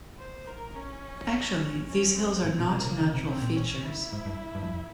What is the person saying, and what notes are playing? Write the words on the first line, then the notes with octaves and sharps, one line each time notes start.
Actually, these hills are not natural features.
C5
A#4
C#4
C#4
C4
G#2 C4
A#2
C3 A#3
C#3
C#3
C3
C3 C4
A#2
C#4
E4
G#2
G2
G2
F2